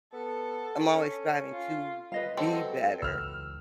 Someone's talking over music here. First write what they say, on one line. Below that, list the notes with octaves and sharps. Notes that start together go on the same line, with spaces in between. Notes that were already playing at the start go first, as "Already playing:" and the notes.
I'm always striving to be better,
B3 A4
C#4
F4
B4 D#5 F5
F#3 C4 A4
C#2 E3 E6 F6